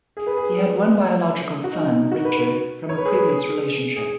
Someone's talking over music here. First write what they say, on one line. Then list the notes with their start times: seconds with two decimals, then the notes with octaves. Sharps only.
He had one biological son, Richard, from a previous relationship.
0.17 G#4
0.27 B4
0.37 G#4
1.64 F#4
1.72 D#4
2.11 F#4
2.25 B4
2.37 B4
2.89 C#5
2.98 B4
3.05 G#4
3.13 B4
3.29 G#4
3.96 G#4